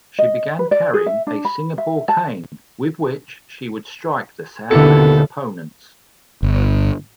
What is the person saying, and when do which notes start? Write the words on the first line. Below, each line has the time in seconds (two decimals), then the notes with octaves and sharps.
She began carrying a Singapore cane with which she would strike The Sandman's opponents.
0.19 D#5
0.59 B4
0.71 D5
0.94 G#4
1.06 E5
1.27 D4
1.45 B5
1.78 E5
2.08 A5
4.71 D#2 B2 D3 E4 A4 C#7
6.43 G1